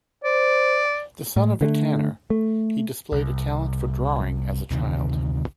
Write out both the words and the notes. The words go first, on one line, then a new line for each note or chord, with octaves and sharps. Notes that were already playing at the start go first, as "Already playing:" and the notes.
The son of a tanner, he displayed a talent for drawing as a child.
C5 D5
A2
D3 A3
A3
C2
D2 C3 D#3